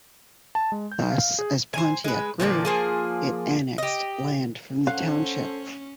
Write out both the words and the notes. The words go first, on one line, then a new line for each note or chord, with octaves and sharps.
Thus, as Pontiac grew, it annexed land from the township.
A5
G#3
G6
F5
G#4
C5 G#5
G#3 B4
A#2 D3 F3 D5
F3 A#3 G#4
G4 D#5
C#4 A4 C5 F5 F#5